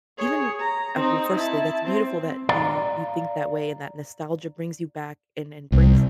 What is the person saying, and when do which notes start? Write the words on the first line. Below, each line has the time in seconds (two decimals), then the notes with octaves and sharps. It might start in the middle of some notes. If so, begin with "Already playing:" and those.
even uh, well, firstly, that's beautiful that you you think that way, and that nostalgia brings you back and and brings
0.18 G#4 C#5
0.60 A#5
0.95 C4 D#4
1.34 E4 A5
1.85 C4
2.49 D5 F5 A#5
5.72 C2